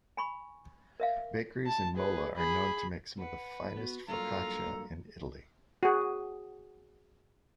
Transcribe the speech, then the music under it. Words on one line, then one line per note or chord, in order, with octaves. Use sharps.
Bakeries in Mola are known to make some of the finest focaccia in Italy.
G#5 B5 C#6
A#4 E5 F5
A5
G#4 B4
G#4 B5
B4 F#5
B3 F#4
G2 F#3 A#3 F4 A4 A#5
F#4 G#4